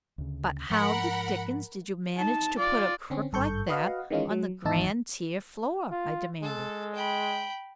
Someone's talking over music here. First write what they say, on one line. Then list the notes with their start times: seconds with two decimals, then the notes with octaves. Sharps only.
"But how the dickens did you manage to put a crook like that on the grand- tier floor?" I demanded.
0.18 D2 C#3
0.70 G#2 F3 A#4 F#5 B5
2.17 D#4 A5
2.58 F4 D5
3.10 D3 C4 C#4
3.32 G#1 G2 A4 C#6 G6
3.68 F#4 B4 D#5 F5 F#5
4.10 D#3 E3 G#3 C#4 D#4 F4
4.30 F#3
4.65 G#1 E2 D#4 E5 A5
5.91 F4
6.43 G#3 A4
6.95 G5 B5